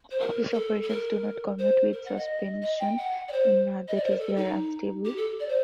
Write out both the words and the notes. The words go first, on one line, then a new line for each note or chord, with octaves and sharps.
These operations do not commute with suspension, that is they are unstable.
C5
A#4
A#4
A4
A4
A#4
C5
A#4
F#5
D#5
D#5
G5
F#5
D5
C5
D#5
D5
C5
A#4
A4
D#4
G4
A4
D5
C5